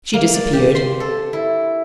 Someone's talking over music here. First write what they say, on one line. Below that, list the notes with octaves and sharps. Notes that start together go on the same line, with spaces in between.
She disappeared.
A#3
D5
G4
C6
A4
E4